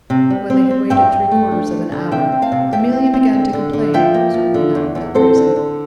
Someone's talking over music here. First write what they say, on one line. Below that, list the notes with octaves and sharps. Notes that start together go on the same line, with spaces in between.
When they had waited three-quarters of an hour Amelia began to complain,--certainly not without reason.
C3
G3
C4
C4
G2 E5 G5
G2
A3
D4
G3
D3
C3 E5 G5
C4
F5 A5
C3
E2 E5 G5
C4
C4
D3
D3
D3
F3 E5 G5
A#3
F3
D3
E2
E2
C4 A4 C5
D3
D3